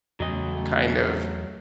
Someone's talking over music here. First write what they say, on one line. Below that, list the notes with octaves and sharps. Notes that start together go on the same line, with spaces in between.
kind of
E2 C#3 F#3 G3 A3 D#5